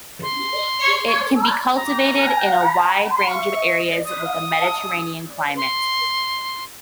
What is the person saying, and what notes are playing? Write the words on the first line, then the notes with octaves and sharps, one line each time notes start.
It can be cultivated in a wide range of areas with a Mediterranean climate.
C6
A#5
C6
C#6
D#6
C6